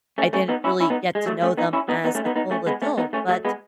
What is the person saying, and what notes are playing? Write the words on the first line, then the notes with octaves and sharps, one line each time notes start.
I didn't really get to know them as a full adult, but
A3 C#4
A3 C#4
B3 D#4
C#4 E4
C#4 E4
B3 D#4
G#3
F#3 A3
A3 C#4
B3 D#4
C#4 E4
B3 D#4
B3 D#4
A3 C#4
B3 D#4
B3 D#4
A3 C#4
G#3 B3
A3 C#4
B3 D#4
A3 C#4
F#3 A3
G#3 B3